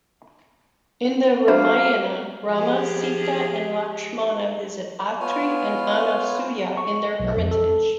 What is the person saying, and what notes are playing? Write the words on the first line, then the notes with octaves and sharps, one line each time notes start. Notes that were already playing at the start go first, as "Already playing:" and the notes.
In the Ramayana, Rama, Sita and Lakshmana visit Atri and Anasuya in their hermitage.
F#3 A#3 D4 G4 C5 F5 B5
F3 G4 G#4
B3 F4 C#5 G#5
C#6
B1
F2
A4